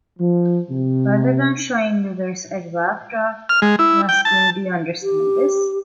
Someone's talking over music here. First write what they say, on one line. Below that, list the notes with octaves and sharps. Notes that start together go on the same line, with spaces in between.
Rather than showing users a rough draft and asking, Do you understand this?
F3
C3
F6
G#3
E4
G5
A5
G4